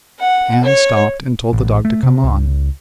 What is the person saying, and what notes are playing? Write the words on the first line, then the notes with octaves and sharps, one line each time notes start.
Am stopped and told the dog to come on.
F#5
C#5
A1
A3
C3
C#2